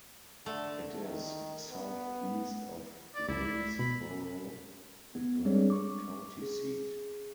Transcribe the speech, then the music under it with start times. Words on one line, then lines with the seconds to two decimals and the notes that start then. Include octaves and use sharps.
It is southeast of Waynesboro, the Burke County seat.
0.46 D3 A3
1.03 D#3
1.72 B3
3.15 D5
3.29 C#2 E4 D5
3.79 B2 B5
5.15 B3
5.45 G3 G#3 C4 D4 G#4 C#5
5.70 C#6 D6
6.42 G#4